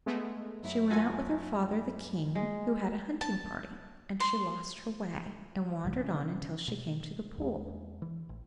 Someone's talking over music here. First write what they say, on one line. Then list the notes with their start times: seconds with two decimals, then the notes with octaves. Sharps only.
She went out with her father, the King, who had a hunting party; and she lost her way, and wandered on until she came to the pool.
0.06 G#3 A3 B3
0.63 F#2 E4
0.90 F4 F#4 A4 G#5
2.35 G#3
3.21 A5
4.20 C6
5.84 B1 G#2 C#3 A#3
6.00 C3 C#4
6.68 B2
7.38 E2 G#3
8.02 E3
8.29 A1